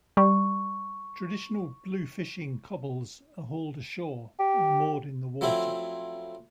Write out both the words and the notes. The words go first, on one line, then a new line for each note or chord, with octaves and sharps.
Traditional blue fishing cobles are hauled ashore or moored in the water.
G3 C#6
G4
F3 F#3 A3 C4 E4